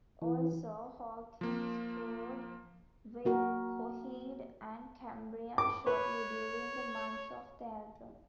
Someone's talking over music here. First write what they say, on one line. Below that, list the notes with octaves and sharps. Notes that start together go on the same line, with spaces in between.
Also, Hawkins toured with Coheed and Cambria shortly during the months of the album.
E3
F3 A#3
A#3 F#4 A#4
D6
B4 C#5